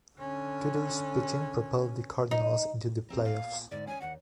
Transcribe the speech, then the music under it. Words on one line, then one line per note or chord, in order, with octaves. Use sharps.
Tudor's pitching propelled the Cardinals into the playoffs.
D3 C#4
D#4
E2 C4 A#5
A#2 F5
G#2 D3 D5
C#4 C#5 G#5
D#2 F#5